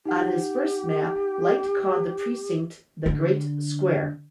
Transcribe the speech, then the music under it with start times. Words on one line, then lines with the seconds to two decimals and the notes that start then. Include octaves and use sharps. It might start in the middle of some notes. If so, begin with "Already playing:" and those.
On his first map, Light called the precinct 'The Great Square'.
0.05 D#4 G4 F#5
3.06 D3